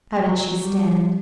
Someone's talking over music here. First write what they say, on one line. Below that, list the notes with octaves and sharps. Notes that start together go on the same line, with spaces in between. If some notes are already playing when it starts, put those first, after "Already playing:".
How did she stand?
F#3
G3